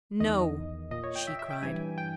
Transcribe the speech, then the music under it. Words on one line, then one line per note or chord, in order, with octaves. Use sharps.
"No!" she cried.
E2 D#3 D#5
A#2 D#5
C#5
G5
E5
E5
G5
G2 E3 G#5
G5